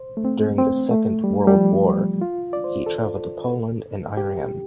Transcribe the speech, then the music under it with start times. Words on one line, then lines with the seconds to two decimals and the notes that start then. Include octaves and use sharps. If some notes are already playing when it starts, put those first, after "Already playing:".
During the Second World War he travelled to Poland and Iran.
Already playing: C5
0.17 A3
0.25 C4
0.58 C4
0.91 A3
1.24 G3
1.47 G3
1.55 F3
1.89 G3
2.21 F4
2.53 D5
2.64 C5
2.86 A4
4.17 G4